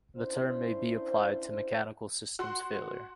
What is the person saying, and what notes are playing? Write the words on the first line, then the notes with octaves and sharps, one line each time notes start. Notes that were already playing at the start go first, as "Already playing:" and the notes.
The term may be applied to mechanical systems failure.
C#4 D4 E4 C5
F#4 C6